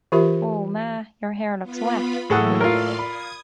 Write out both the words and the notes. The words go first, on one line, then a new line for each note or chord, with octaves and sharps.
Woah, ma, your hair looks wack.
E3 F4 G4 A#4 B4 E5
B3 F4 B5
A2 E3 F#3 A#3 G#4 A4 F#5 D#6
F4 A#4 D5 F5 C6
B5 D#6 G#6